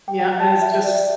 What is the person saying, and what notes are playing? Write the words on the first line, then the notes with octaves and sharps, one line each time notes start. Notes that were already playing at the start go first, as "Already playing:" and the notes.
Yeah, it's just
G5
G5
A5
G5
E5
E5
D5
E5